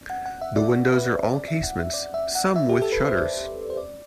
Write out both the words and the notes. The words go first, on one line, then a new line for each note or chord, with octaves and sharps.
The windows are all casements, some with shutters.
F#5
F#5
E5
D5
B4
D5
E5
F#5
E5
D5
E5
F#5
E5
G4
A4
B4
C5
D5
C5
D5